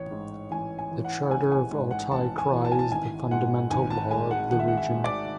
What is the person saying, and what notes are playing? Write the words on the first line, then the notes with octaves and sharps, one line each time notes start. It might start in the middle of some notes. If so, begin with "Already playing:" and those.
The Charter of Altai Krai is the fundamental law of the region.
Already playing: A1 C#5
G#2
A1 G#5
G#5
E3
F#5
A1 G#5
G#5
G#2
F#5
A1 A5
G#5
E3
A5
G#5
A5
G#1 G#5
G#2 F#5
G#1 G#5
A5
G#3 G#5
F#5
G#1 F#5
E5
F#5
E5
G#2
D5